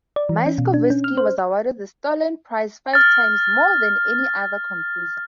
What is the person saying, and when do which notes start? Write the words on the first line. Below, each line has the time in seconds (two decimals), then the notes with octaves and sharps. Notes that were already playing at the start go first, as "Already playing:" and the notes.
Myaskovsky was awarded the Stalin Prize five times, more than any other composer.
0.16 D5
0.29 E3
0.46 C#4
0.58 B2
0.74 D4
0.90 C#4
1.04 F6
1.17 C5
2.94 F6 A6